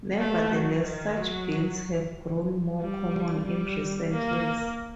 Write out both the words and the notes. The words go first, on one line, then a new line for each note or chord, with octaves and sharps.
Nevertheless, such bills have grown more common in recent years.
A3
F#3
D#3
F#3
G3
G3
A#3